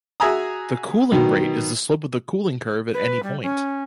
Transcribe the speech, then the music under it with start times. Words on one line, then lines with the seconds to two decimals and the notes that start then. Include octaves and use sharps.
The "cooling rate" is the slope of the cooling curve at any point.
0.20 F#4 G#4 E5 G#5 A#5 D#6
1.12 B2 D#3 F#3
2.93 B4
3.23 G3
3.42 C#4